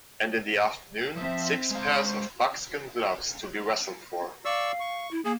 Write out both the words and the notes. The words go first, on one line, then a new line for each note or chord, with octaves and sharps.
And in the afternoon six pairs of buckskin gloves to be wrestled for.
F3 C4 E5
G#3 C5 F5
D5 F5 C#6 E6
C#6
E4
A#3 G#4